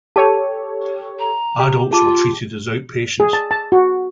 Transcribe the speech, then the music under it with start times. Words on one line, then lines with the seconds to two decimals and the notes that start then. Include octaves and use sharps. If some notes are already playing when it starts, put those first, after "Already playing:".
Adults were treated as outpatients.
0.16 G4 A4 C#5 A5
1.19 A#5
1.59 G4
1.91 F4 G#4 A5 D6
3.20 G#4
3.33 A5
3.51 A5
3.72 F#4